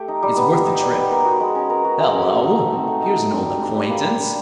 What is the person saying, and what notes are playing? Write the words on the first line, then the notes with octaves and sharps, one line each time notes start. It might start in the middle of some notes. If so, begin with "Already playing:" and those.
It's worth the trip. Hallo! here's an old acquaintance.
Already playing: A3 G4
D#4
G3
B3
G4
D#4
G3
B3
A#4
F#4
G#3
C#4
A#4
F#4
G#3
C#4
A3
D#4
A3
C4
A3
D#4
A3
C4
G3
D4
G3
A#3
G3
D4